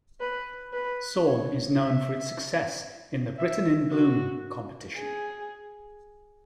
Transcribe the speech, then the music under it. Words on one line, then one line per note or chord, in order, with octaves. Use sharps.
Sorn is known for its success in the Britain in Bloom competition.
B4
B4
C#5
E5
E5
F#4
G#4